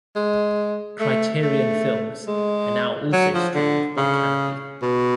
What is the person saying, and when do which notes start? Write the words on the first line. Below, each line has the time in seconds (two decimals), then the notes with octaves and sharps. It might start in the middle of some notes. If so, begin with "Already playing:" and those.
Criterion films are now also streamed by Kanopy.
0.16 G#3
1.00 A3
1.42 A3
2.27 G#3
3.13 F#3
3.34 F3
3.55 D3
3.97 C#3
4.82 B2